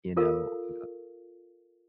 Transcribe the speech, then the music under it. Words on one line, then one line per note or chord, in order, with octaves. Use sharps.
you know, uh,
F4 A4 A#4 F5